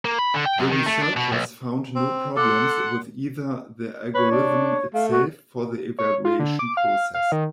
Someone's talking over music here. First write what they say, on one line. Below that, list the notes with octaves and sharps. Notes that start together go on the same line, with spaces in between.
The researchers found no problems with either the algorithm itself or the evaluation process.
A#3
B5
D3
G5
F#2
D#3
A3
D4
B2
B1
C4
A4 F#5 C6 D6
B4 C#5
D4
A3 F5
F#4
C#5
F4
D3
D6
F5
F5
D#3